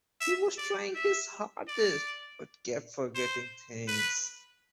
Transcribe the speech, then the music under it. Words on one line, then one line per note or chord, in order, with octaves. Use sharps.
He was trying his hardest, but kept forgetting things.
E5
D5
E5
D5
C5
B4